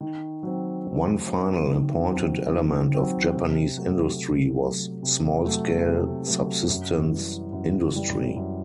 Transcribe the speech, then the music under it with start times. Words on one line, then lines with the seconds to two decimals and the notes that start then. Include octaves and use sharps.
One final important element of Japanese industry was small-scale, subsistence industry.
0.01 D#3
0.43 F#3 C4
0.85 D#3
1.26 F#3 C4
1.69 D#3
2.10 F#3 C4
2.52 D#3
2.94 F#3 C4
3.36 C3
3.77 F#3 A3
4.18 C3
4.60 F#3 A3
5.03 C3
5.44 F#3 A3
5.85 C3
6.28 F#3 A3
6.69 F#2
7.11 E3 G3
7.53 F#2
7.95 E3 G3
8.36 F#2